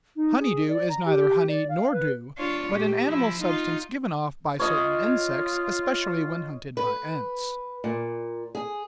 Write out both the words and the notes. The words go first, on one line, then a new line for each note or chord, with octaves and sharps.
Honeydew is neither honey nor dew, but an animal substance given off by certain insects, especially when hunted by ants.
D#4
G#4
D5
A#5
G4
D5
F5
B4
D4 F4 C#5
A#2 G4
F3 E4
D#4 F4
F4 C#5 D#5
B4
A#2
G#4